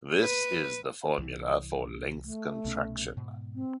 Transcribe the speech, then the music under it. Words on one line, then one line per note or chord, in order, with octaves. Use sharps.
This is the formula for length contraction.
B4
C2 E3
A3
C2 B2 C#4
G#2 B2
C4